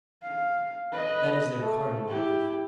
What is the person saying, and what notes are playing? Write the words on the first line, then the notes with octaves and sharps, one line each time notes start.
That is their cardinal belief.
F5
B4 D#5
A3
E4 G4